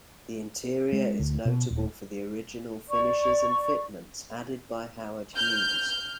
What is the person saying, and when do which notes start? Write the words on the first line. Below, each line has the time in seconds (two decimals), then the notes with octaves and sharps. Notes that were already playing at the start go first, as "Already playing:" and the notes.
The interior is notable for the original finishes and fitments added by Howard Hughes.
0.92 G#3
1.20 D2
1.45 B2
1.70 D#1
2.89 D5 C#6
5.36 F6 G6